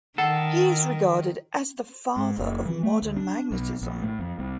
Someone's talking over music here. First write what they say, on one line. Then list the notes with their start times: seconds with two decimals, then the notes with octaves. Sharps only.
He is regarded as the "Father of Modern Magnetism".
0.18 D#3 A4 F#5
2.16 G#2
2.38 F#1
2.66 E3
2.83 A3
3.02 D2
3.17 D4
3.50 B1
3.81 A#1
4.02 A2
4.19 F2
4.38 C2